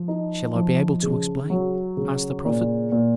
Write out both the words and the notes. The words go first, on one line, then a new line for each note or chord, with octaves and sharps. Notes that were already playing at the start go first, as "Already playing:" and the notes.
"Shall I be able to explain?" asked the prophet.
Already playing: F3
D#4
F3
C#3
F#3
C#3
A#2
A#2